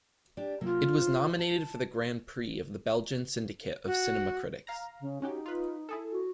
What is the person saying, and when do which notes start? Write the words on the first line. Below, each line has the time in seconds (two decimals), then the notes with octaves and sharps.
It was nominated for the Grand Prix of the Belgian Syndicate of Cinema Critics.
0.37 D4 G4 D5
0.61 C3 F#3 A#3 F4
0.99 C5
1.39 A5
3.86 F#4
4.67 F5 A#5
5.01 C#3
5.22 C#4 D#4 F#4 G4
5.46 F4 B4
5.89 E4 G#4 A4
6.12 F#4